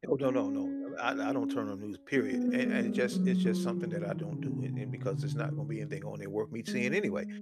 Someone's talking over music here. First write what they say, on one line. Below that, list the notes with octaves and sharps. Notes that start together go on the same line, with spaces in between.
Oh, no, no, no I I don't turn on news, period and and it just it's just something that I don't do and and because there's not gonna be anything on there worth me seeing anyway.
C#4
C#4
C#4
C#4
C4
B3
A#3
G#3
G3
F#3
F3
E3
D#3
C#3
B2
C3
B2
D3
D#3
G#3